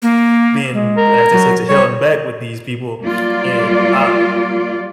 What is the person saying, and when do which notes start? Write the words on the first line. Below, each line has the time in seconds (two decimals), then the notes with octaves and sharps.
been as they say, to hell and back with these people, and I
0.02 A#3
0.73 G#3
0.97 A#4
1.32 F#3
1.69 G3 C#5
3.02 F#3 G3 A#3 F4 D5